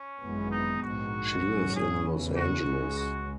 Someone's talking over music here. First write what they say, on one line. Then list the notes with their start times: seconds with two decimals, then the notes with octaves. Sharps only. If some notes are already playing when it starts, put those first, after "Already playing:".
She lives in Los Angeles.
Already playing: C#4
0.21 G#1 F#2 E3 G#3 B3
0.52 D#4
0.83 A#1 G#2 D#3 F#4
1.45 G#2 F#3 C#4
1.75 G#4
2.06 E2 C#3 E3
2.37 F#4
2.67 C#2 C#3 G#3
2.99 F#4